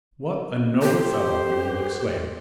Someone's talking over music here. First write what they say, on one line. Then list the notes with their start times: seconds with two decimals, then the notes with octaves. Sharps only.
"What a noble fellow!" you will exclaim.
0.82 G4 A4 C5 C6